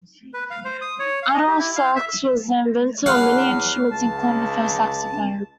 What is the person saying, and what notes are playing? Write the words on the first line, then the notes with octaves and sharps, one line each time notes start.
Adolph Sax was the inventor of many instruments including the first saxophones.
B4
F5
C5
D#6
C#5
F5
D#5
G4
E4
F5
E5
E2 B4 C#5 F5 F#5
C#2 A5